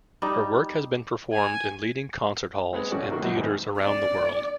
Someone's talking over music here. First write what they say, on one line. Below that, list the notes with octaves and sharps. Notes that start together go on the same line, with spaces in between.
Her work has been performed in leading concert halls and theatres around the world.
G3 D#4
G#5
G#3 B3 C4
G2 B2 C#4 F#4 A4 D5
C3 D#3 A#3 F#4
C#2 F#2 D#4 E4 D#5 F#5
G#1 C3 D#4 F#4 B4 G#5
D5